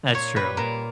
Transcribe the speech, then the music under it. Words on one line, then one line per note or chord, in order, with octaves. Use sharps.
That's true,
A#2 C#5
G3 B4
A#2 A#4